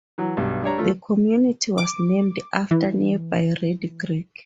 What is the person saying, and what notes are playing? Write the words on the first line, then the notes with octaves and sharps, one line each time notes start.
The community was named after nearby Reedy Creek.
E3 F#3
B1 G2
G3 D4 C#5 A#5
A3 F4
D6
E3